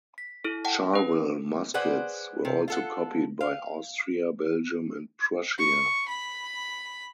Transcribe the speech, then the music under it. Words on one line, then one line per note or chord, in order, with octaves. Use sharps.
Charleville muskets were also copied by Austria, Belgium and Prussia.
B6
E4 A4
F#5 G5 A5
C#4 B4
G#4 B4 C5 D5 F#5
C3
F4 A4 F#5
F5
C#6
B5